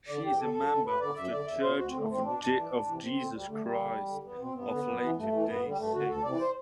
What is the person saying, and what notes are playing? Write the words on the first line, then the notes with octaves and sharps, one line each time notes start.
She is a member of The Church of Jesus Christ of Latter-day Saints.
D3 D5
E2 G4
D3 A4
F#2
D3
G2 B4
D3 D5
F#2 E5
D3 D5
E2 E5
B2 C5
D2 F#4
C4
D3
A3
E2 C4
B2 D4
G2
E3
D2
C3 E3
F#2 C4
D3
D2 G3
D3 A3
E2 G3
D3
E2
D3
E2 B3
B2 C4
G2 B3
D3
F#2
E3
G2 A3
E3
G2 B3
D3 G3
G2 A3
D3 F#4
D2 A4
C3 E3 D5
C5